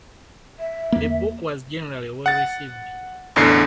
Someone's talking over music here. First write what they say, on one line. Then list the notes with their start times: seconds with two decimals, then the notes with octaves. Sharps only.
The book was generally well received.
0.60 E5
0.92 E2 A#3
2.26 F#5 A6
3.36 A1 E2 D3 C7